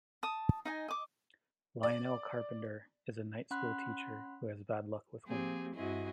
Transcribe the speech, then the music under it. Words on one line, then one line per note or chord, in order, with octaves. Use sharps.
Lionel Carpenter is a night-school teacher who has bad luck with women.
A5 D#6
D#4 D#5 G#5
D#5 D6
D5
C#4 F#5 B5 C6 F#6
F3 A#3 C4 G4 G#4
G2 C4 E4 F#4 G#4 D#5